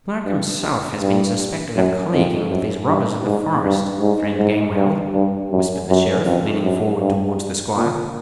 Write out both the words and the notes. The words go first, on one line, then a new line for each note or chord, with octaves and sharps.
"The clerk himself has been suspected of colleaguing with these robbers of the forest, friend Gamewell," whispered the Sheriff, leaning forward towards the Squire.
G2
G2
F#2
F2
F#2
G2
G#2
G2
G#2
G#2
G2
G2
F#2
F#2
F2
F#2
G2
A#2